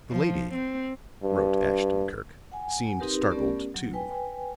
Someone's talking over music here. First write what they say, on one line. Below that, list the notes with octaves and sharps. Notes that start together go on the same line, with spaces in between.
"The lady," wrote Ashton-Kirk, "seemed startled, too."
F3
C4
G2
F#5 G#5
C4 D#4 G4 A#4 B4
A3 B3 C#4 G4 A#4 D5
F#3
B4 G5 G#5